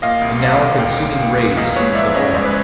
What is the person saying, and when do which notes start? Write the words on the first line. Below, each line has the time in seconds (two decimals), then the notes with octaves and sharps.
And now a consuming rage seized them all.
0.02 A#2 D#5 F5
0.21 C2
0.41 C2
0.60 C2
0.79 C2 F5 G5
0.99 C2
1.19 C2
1.38 A#2
1.57 E2 D#5 F5
1.76 G#3 B4 C#5
1.95 F3 D5 E5
2.15 C#3 C#5 D#5
2.34 G#3 C5 D5
2.46 B4